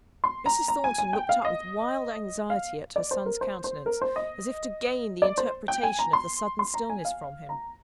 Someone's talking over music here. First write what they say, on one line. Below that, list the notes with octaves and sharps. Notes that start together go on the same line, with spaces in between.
Mrs. Thornton looked with wild anxiety at her son's countenance, as if to gain the interpretation of the sudden stillness from him.
C6
A#5
A#5
G#5
G#5
G5
F5
D#5
F5
D5
C5
A#4
C5
C5
A#4
C5
D#5
D5
C5
G5
G#5
A#5
C6
C6
A#5
G#5
F5
A#5